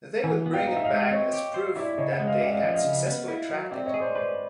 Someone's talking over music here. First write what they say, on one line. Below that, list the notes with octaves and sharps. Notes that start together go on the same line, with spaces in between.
They would bring it back as proof that they had successfully tracked it.
E3 F#5 G#5
B3
F5 G5
D#4 F5
E5
D#5 F5
G#3
E5
C4 C#5 D#5
G4
C5
E4 D5 E5
C#3 C#5 D#5
E5 F#5
G#3
D#5 F5
C#4 D5 E5
F#5
D#5 F5
F3 E5 F#5
D#5 F5
C#3
B3
E4
F#3
C4 D5 E5
C#5 D#5
G#4
C5 D5
B4 C5 D5